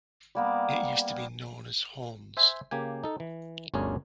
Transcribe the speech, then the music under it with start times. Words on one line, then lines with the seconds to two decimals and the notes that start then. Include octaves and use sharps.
It used to be known as Hawnes.
0.35 G3 A#3 B3
2.37 C5 E5 G#5
2.71 C#3 A#3 G4 G#5
3.04 D#4 A4
3.20 E3
3.74 G1 D2 C#4 D4 G#4 A#4